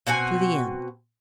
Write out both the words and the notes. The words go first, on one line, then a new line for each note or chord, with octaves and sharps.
"To the end."
B2 C4 F#4 G#5